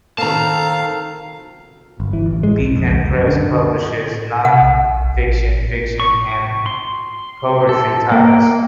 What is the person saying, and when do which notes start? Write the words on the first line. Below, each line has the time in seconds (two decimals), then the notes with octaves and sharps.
Beacon Press publishes non-fiction, fiction, and poetry titles.
0.18 D#3 C4 A4 F5 A5 A#5
2.00 G1
2.13 E3
2.26 A1
2.43 G#3
2.57 B1
2.76 F2
2.88 C#2
3.02 C#2
3.14 F#2
3.28 D3
4.45 C3 F#5
4.62 B1
5.04 A1
6.00 C#6
6.66 C6
7.69 A4
8.12 A#3